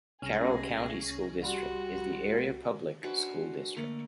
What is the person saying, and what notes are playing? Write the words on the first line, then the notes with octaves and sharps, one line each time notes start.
Carroll County School District is the area public school district.
C2 C#4 G#4 A#6
G3 F#4 G4 C6
C#4 D4 F#4 A4 B4 C5
D3 A3 A#3